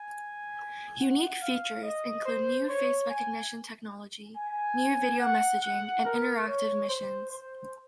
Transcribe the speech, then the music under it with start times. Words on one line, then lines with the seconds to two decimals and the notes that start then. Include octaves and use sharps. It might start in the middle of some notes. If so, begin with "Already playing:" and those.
Unique features include new face recognition technology, new video messaging, and interactive missions.
Already playing: G#5
0.99 F#5
1.42 F5
1.84 D#5
2.26 C5
2.69 C#5
3.10 G#5
4.36 G#5
5.20 F#5
5.63 F#5
6.05 A#4
6.47 C#5
6.89 C5
7.31 C5